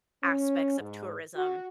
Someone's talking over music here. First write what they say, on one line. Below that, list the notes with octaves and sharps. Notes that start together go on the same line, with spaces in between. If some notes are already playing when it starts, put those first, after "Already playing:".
aspects of tourism,
C#4
G#2
F#4